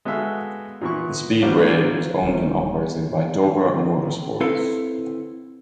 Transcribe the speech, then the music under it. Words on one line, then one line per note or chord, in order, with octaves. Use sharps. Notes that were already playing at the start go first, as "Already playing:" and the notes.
The speedway was owned and operated by Dover Motorsports.
G#3 B3 F#4 A4 E5 F5
A#2 E3 B3 E4 C#6
G3 A#3 C4 D4 F4 F#4
D#1 D#2 D#3 G3
C4 E4 A4 B4 F5